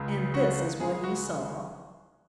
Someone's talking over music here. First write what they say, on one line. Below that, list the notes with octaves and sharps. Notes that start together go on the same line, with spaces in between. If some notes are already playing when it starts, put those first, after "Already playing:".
And this is what he saw.
Already playing: C#2 C#3 G#3
F#4
C#2 C#3 G#3 G#4
F#4